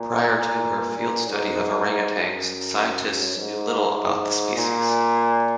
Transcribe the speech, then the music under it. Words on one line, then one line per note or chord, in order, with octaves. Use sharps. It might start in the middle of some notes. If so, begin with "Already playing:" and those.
Prior to her field study of orangutans, scientists knew little about the species.
Already playing: A#2
A#2
A#2
G#2
F#2
G#2
A#2